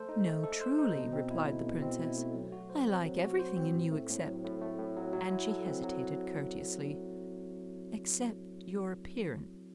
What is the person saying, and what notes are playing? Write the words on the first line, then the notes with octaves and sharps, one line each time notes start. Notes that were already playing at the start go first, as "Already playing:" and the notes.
"No, truly," replied the princess; "I like everything in you, except"--and she hesitated courteously--"except your appearance."
Already playing: A3 A4 C5
D#4
A3
A4
C5
D#4
B2
C4
E4
A3
B2
C4
E4
A3
F#3
F#4
C5
C4
F#3
F#4
C5
C4
A2
A3
A2
F#3
A2
A3
A2
F#3
F#3
E4
A4
C4
F#3